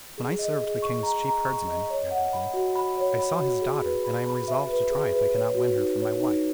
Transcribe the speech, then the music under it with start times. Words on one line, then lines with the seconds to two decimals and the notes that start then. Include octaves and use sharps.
'When I served the king's chief herdsman,' added he, 'I saw his daughter, and I am resolved to try if I cannot win her for my wife.'
0.18 G#4
0.39 D#5
0.61 G#4
0.82 C#6
1.03 A#5
1.25 A#5
1.46 C#6
1.68 D#5
1.90 C#5
2.11 F#5
2.33 B5
2.54 F#4
2.75 B5
2.97 C#5
3.19 B5
3.40 F#4
3.61 G#4
3.83 B4
4.04 B5
4.26 B5
4.48 E5
4.69 B4
4.90 G#4
5.12 B4
5.34 C#5
5.55 F#4
5.76 D#4
5.98 C#5
6.20 D#4